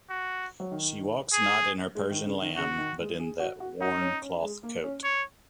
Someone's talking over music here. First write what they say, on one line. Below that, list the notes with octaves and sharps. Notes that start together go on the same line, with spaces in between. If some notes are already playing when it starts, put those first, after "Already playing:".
She walks not in her Persian lamb, but in that worn cloth coat.
F#4
F#3
D#3
G#4
G#3
D#3
C#3
D#3
C#3 F#4
D#3
G#3
G#4
F#4
F#4
D#4 F#4
C#4
C#4
G#3
A#3
C#4
C#5